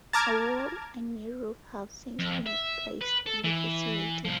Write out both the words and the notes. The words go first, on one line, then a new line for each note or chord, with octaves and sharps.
A wall and new roof have since been placed on the facility.
A5 A#5 D6 F6 G#6
F2
E5
B4
A4
E3
C2 F3